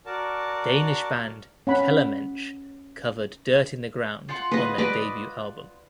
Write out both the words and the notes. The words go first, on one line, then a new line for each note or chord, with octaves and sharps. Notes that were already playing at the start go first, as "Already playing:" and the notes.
Danish band Kellermensch covered "Dirt in the Ground" on their debut album.
F#4 A#4 D5 A5
C#4 F#5 B5
F4 F#5 C6
B4 D#5
B4 D5 D#5